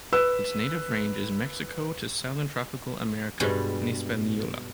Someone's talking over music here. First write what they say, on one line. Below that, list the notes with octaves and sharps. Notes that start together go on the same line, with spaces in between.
Its native range is Mexico to southern Tropical America and Hispaniola.
B4 E6
G2 B2 G3 G#3